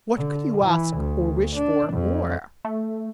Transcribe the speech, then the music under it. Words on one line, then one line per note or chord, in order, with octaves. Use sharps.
What could you ask, or wish for, more?
D3
E3
D2
D4
F2
A3